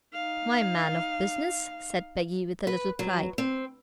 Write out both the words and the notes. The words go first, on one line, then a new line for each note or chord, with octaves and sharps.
"My man of business," said Peggy, with a little pride.
D#4 F5
B4
F#3
C4